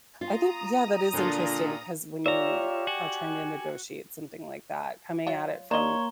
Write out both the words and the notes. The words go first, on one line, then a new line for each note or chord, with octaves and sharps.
I think, yeah, that is interesting ‘cause when you are trying to negotiate something like that, coming at it from
F4 A#5 D#6
A#2 D3 D4 F4
F4 G4 C#5 D5 E5 A#5
F#4 G#5
F#3 F4
A#3 D4 C#5 D#5 A#5 C6 G7